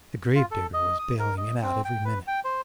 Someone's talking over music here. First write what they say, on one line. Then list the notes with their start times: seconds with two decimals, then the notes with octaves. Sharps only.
The gravedigger was baling it out every minute.
0.35 F4
0.51 A4
0.74 D#5
0.99 D#6
1.19 A#4
1.37 D#5
1.62 C4
1.85 G5
2.05 B4
2.27 G5
2.44 C5